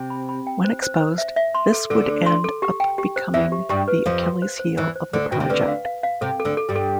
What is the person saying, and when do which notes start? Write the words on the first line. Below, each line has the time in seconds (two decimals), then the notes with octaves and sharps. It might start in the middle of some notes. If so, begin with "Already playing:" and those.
When exposed, this would end up becoming the "Achilles' heel of the project".
Already playing: C3
0.10 B5
0.29 B5
0.47 G5
0.64 C5
0.82 C5
1.01 C5
1.18 E5
1.36 E5
1.55 C6
1.73 A4
1.90 D2 D3 A4
2.08 A4
2.26 C6
2.44 A4
2.62 G4
2.80 G5
2.98 G4
3.16 C5
3.34 E2 E3 E5
3.52 G4
3.69 G2 G3 G4
3.88 B4
4.06 F2 F3 F5
4.23 C6
4.42 C5
4.59 C5
4.77 E2 E3 C5
4.96 C5
5.13 D2 D3 C5
5.31 B2 G5
5.40 C3
5.50 D2 D3 B4
5.68 F5
5.85 F5
6.03 F5
6.21 C3 A4
6.40 A4
6.45 D2 D3
6.57 A4
6.69 G2 G3
6.75 A4